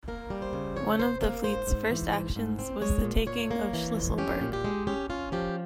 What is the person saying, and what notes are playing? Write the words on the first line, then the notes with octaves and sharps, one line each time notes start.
One of the fleet's first actions was the taking of Shlisselburg.
A#3 A#4
G3
C5
C#3
F2 C#5
C3 C5
A#3 A#4
G#2 C5
G#2
E3
G#2
G#2
C4
G#3 C#5
A#2
A#2 C#5
A#3
E3
F2
C#4 G4
A#2
G4
G#3
C#4 G4
C#4 F4
F3 G4